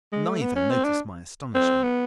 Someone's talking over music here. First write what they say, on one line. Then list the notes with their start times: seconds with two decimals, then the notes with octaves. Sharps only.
Neither noticed my astonishment.
0.12 G#3
0.26 A3
0.41 B3
0.56 C#4
0.70 C4
0.84 D4
1.55 C4
1.83 B3